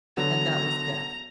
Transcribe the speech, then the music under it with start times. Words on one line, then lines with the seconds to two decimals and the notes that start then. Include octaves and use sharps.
And that was death!
0.17 D3 F#3 B3 A#5